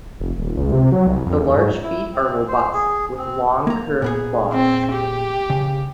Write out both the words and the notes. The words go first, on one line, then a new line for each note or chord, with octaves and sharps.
The large feet are robust, with long curved claws.
F1
D#1
C#2
C3
F#3
C2
F2
D#2
G#2
E4
C4
C5
G#4
C4
A#3 A#5
A#2 B3 G#4
C4
G4
C#3